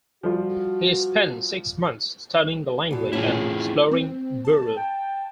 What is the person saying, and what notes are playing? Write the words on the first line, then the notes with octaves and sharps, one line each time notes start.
He spent six months studying the language and exploring Buru.
F3 G3 F4 F#4
E2 B2
A2 E3 C#4 E4 F4 G#4
C4
A5
G5